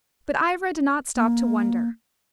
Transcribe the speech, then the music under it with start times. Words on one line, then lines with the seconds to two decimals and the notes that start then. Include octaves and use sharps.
But Ivra did not stop to wonder.
1.16 A#3